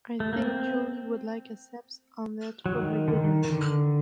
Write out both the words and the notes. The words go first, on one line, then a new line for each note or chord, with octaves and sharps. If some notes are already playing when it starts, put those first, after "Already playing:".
I think Julie would like a ceps omelet for her dinner.
A3
A#3
C4
F#3
D#3
D3
D#3
D#3
D3